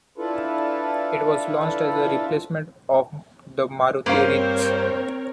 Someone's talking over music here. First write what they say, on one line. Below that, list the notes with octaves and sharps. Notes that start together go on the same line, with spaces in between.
It was launched as a replacement of the Maruti Ritz.
D4 E4 F4 A4 B4
G2 A#3 C4 C#4 A#4 C5 C#5 F5